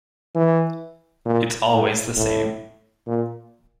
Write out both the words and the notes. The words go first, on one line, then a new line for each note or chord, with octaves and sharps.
It’s always the same.
E3
A#2
A2
A2
A#2